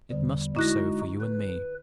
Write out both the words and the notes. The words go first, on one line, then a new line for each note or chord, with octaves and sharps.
It must be so for you and me.
E2 D3 G3
G#3 D#4 E4 F#4 F#6 A#6
B4